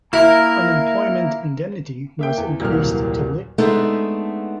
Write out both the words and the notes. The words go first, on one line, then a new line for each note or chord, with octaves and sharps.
Unemployment indemnity was increased to Lit.
A#3 E4 A#4
A#3 E5 G5
E2
D#1 C2 E3 F#3 A#3 F6
G#3 A3 B3 D4 D#4